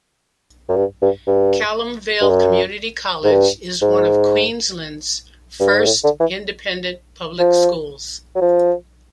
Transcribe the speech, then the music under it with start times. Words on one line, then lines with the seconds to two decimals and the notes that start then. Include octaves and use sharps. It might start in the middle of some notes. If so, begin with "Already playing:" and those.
Calamvale Community College is one of Queensland's first Independent Public Schools.
0.69 F#2
0.77 G2
1.02 G2
1.27 G2
2.21 G2
2.30 F#2
3.24 G#2
3.31 G2
3.82 G#2
5.60 G2
5.73 G#2
5.86 A2
6.04 D3
6.20 E3
7.40 F3
8.36 F#3
8.41 F3